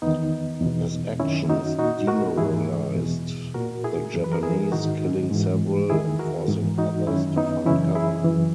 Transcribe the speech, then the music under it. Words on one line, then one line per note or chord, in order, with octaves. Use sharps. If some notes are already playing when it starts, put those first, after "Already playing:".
His actions demoralised the Japanese, killing several and forcing others to find cover.
E2 D#3 B3 D#4
E2 B2
F#2 D#3 C#4 E4
D#4 F#4
A#2 D#4 F#4
F#4 A#4
G#2 E3 E4 G#4
E2 B2
A#2 F#4 A#4
E4 G#4
F#2 E3
B4
A#4
E4 G#4
G#2 D#3 D#4 F#4
G#2 E3
E2 D#3 E4 G#4
F#4 A#4
G#2 E3
D#4 F#4
F#2 D#3 C#4 E4
B3 D#4
F#2 C#3 E3 C#4 E4
E4 G#4
F#2 E3